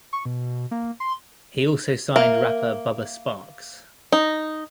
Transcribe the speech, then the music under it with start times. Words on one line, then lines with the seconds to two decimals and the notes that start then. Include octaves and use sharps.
He also signed rapper Bubba Sparxxx.
0.13 C#6
0.25 B2
0.71 A#3
1.00 C6
2.16 A#3 E5
4.12 D#4